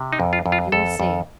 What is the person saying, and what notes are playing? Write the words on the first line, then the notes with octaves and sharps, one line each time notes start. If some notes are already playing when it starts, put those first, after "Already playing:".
"You will see."
Already playing: C3
D#4
F2
F4
F2
F4
F2 A4
F2